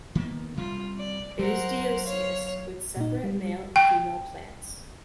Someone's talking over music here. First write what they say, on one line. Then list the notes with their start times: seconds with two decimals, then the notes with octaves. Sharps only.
It is dioecious, with separate male and female plants.
0.15 D#3 A#3 B3
0.57 C3 G3 F4
0.98 D5
1.39 F#3 A#4 C5 F#5
2.06 C#5 F5
2.97 A#2 D#4
3.24 G3
3.76 G5